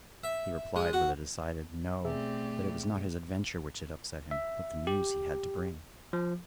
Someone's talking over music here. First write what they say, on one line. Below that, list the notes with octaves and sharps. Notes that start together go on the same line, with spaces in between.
He replied with a decided no; that it was not his adventure which had upset him, but the news he had to bring.
E5
G#3
F#4
B2 A3 C4 G4 G#4 D5 E5
E5
G4
F3